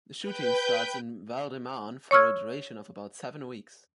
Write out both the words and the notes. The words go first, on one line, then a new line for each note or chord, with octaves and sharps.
The shooting starts in Val-de-Marne for a duration of about seven weeks.
B4 G5 G6
C#5 C#6 E6 F6 G#6